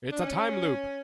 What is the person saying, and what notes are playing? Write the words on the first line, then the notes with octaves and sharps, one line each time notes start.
It's a time loop!
D4
C#4